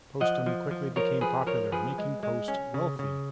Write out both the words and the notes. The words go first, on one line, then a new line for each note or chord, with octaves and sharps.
Postum quickly became popular, making Post wealthy.
F3 D#5 F#5
F3
F3
F3 A#4 C#5
F3 G#4 B4
F3 A#4 C#5
F3 G#4 B4
G#3
G#3
C#4
C#3
C#3